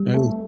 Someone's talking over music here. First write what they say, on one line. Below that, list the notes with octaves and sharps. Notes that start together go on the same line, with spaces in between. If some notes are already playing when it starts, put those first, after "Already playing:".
that is.
Already playing: G3
A3